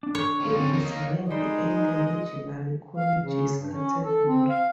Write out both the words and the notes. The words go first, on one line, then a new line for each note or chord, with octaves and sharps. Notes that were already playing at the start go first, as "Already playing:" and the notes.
It is ranked in the "Regional Colleges" category.
D4
C#5
D#3 F4
D3 F#3 G3 C4 C#4
A#3 D#4
A#4 D#5
G3 G#3 D#4 C5 D#5
F5
C#3
G2
C#4
A4
C4
F5